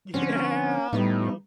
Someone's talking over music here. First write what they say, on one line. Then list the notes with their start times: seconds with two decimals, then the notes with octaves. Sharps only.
Yeah. Yep.
0.14 D3 F3 C4 C#4
0.93 A2 G3 B3 D#4